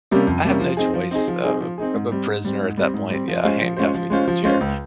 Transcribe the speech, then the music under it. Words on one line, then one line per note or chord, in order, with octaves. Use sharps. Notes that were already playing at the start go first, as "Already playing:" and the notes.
I have no choice of of a prisoner at that point, yeah, handcuffed me to the chair.
C3 G3 A#3 C#4
F2
C3 G3 A#3 C#4
F3
C4 D#4 G#4
F3
C4 D#4 G#4
F3
C4 D#4 G#4
F3
C4 D#4 G#4
G#2
G3 C4
G#2
G3 C4
G#2
G3 C4
G#2
G3 C4
F3
G#3 C#4 F4 C5
F3
G#3 C#4 F4 C5
F3
G#3 C#4 F4 C5
F3
G#3 C#4 F4 C5
C#2